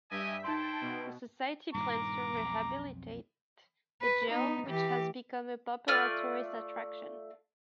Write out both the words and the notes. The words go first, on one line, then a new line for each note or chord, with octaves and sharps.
The society plans to rehabilitate the jail, which has become a popular tourist attraction.
G2 G4 D#5 E5 G#5 B6
D#4 E4 C5 G5 A5 C6
B2
G2 A#2 D#3 A#5 D6
B1 F2
B4
B3 D#4
E3 G4
A3 F4 D5 F6